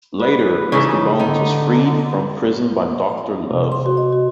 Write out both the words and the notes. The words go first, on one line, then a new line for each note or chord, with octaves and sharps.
Later, Mr. Bones was freed from prison by Doctor Love.
B4
C#3 E3 C#4 D#4
D3 B3 D#4
C3
C6
F#4
D#5
F#4